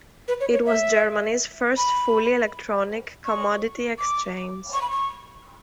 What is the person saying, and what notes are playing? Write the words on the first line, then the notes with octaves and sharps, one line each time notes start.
It was Germany's first fully electronic commodity exchange.
B4
C#5
C#5
E5
B5
C#6
D6
C#6
B5
C#6